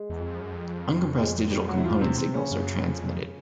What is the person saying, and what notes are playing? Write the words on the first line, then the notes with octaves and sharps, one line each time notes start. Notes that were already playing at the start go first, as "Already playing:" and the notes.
Uncompressed digital component signals are transmitted.
Already playing: G#3 G#4
E2
F2
F#2
F2
G#3 G#4
G3 G4
F#3 F#4
E4
E2 F3 F4
F2
E2 C3 C4
C3 C4
C#3 C#4
F#2
F2